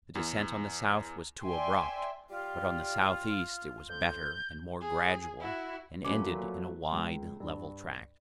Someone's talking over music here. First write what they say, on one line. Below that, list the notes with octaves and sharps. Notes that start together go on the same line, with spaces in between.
The descent on the south was too abrupt, but on the south-east it was better and more gradual, and ended in a wide, level tract.
E2
D5 E5 G5 G#5 C6
G3 F4
F2 G6
G#4
E4 F#4
A#2 F#3 A3 C#4 B4 D6
C#2
G2